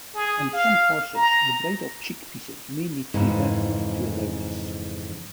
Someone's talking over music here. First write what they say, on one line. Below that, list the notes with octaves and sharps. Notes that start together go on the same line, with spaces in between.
On some horses, the bridle cheekpieces may need to be lengthened to allow this.
G#4
F5
A#5
F2 G#2 C#3 E3